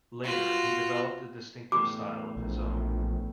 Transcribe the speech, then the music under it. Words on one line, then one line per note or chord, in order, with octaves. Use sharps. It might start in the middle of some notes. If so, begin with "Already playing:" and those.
Later he developed a distinctive style of his own.
F4 F#4
E2 A2 D6
A#1